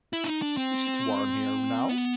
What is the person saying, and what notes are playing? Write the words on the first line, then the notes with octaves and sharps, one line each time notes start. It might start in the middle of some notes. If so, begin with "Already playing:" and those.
Is it warm here now?
E4
D4
D#4
D4
C4
B3